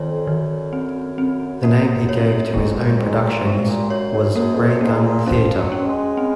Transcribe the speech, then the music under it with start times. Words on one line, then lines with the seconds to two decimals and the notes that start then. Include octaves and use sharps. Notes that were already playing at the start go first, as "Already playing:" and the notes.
The name he gave to his own productions was "Ray Gun Theater".
Already playing: F2 D#3 C#5
0.27 F#2 D#3
0.73 C4
1.18 C4
1.64 F#2 A#3
2.09 C#5
2.54 G#2 G#3
2.67 F2
2.77 F#2
2.99 G#2 G#3
3.22 A#2
3.45 C3 G#3
3.68 A#2
3.90 F#2 C#5
4.13 F#2
4.36 F#2 A#3
4.55 F2
4.68 F#2
4.81 G#2 A#3
5.04 A#2
5.26 F3 C#4
5.57 F#3
5.72 C#4
5.87 G#3
6.17 C4